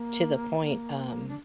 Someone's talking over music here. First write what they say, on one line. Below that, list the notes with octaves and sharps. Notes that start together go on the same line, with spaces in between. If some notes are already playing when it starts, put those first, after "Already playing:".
to the point, um
Already playing: A#3
A#3
D4